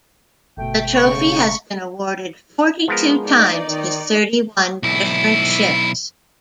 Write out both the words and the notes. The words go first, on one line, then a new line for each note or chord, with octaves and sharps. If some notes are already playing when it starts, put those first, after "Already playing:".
The trophy has been awarded forty-two times to thirty-one different ships.
G1 B2 A3 G5
C#3 C#6
F3 G#3 B3 A#4
D#4 D5
D#3
B1 E4